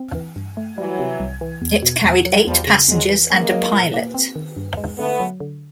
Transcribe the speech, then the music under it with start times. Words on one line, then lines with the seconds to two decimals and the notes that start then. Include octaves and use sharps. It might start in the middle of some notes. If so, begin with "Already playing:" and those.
It carried eight passengers and a pilot.
Already playing: C4
0.15 E3
0.36 G2
0.57 A3
0.78 E3 F#3 G3
0.99 C3
1.20 C2
1.41 E3
1.62 E2
1.83 B2
2.04 E2
2.26 F#3
2.46 E2 F3 G3
2.67 C#3
2.88 E2 F#3 G#3
3.09 E3
3.30 G#3 A#3 C#4
3.52 F#3
3.72 A#2
3.94 A#3
4.14 C4
4.35 D#3
4.57 G2
4.77 G#3
4.98 D3 A3 B3
5.20 F#3
5.40 D3